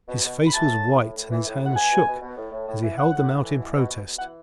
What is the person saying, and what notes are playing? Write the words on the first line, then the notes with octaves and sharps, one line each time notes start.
His face was white and his hands shook as he held them out in protest.
B2
B2
B2
B5
E3 A5
A2
A2
A2
A2
E3
A2
A2 F#5
B2 G#5
B2
B2
B2
A2
A2
A2
E3
A2 F#5
A2
A2
E3
B2
B2
B2
B2
E3 F#5